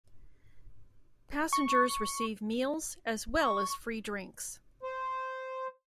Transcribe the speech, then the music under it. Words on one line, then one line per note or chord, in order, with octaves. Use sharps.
Passengers receive meals, as well as free drinks.
C#6
C#6
C5